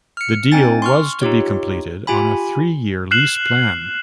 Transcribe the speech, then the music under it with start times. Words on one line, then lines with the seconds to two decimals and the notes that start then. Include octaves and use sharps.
The deal was to be completed on a three-year lease plan.
0.17 F6 C#7
0.52 C4 D#4 G5 G#5 A6
0.82 C6 C#6 F6
1.22 D#4 F4 G4 C#5
2.07 F4 G4 G#5 B5
3.11 F6 F#6 C7 E7 F#7